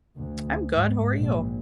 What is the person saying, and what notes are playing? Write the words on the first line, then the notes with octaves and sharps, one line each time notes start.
I'm good, how are you?
D2
G#2
A#1